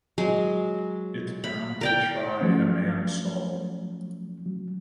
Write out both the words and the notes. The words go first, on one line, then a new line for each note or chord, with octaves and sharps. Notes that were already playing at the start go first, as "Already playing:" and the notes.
It's bound to try a man's soul.
F#3 G#3
B5
A#4 D5 G5
F3 F#3 A3 C#4
F#3